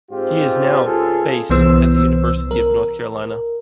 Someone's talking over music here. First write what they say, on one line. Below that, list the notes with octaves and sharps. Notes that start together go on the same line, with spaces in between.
He is now based at the University of North Carolina.
G#2 C4 F4 G4
C#2 F4 G#4 A4
C2 E3 B3 C5 E6
A#4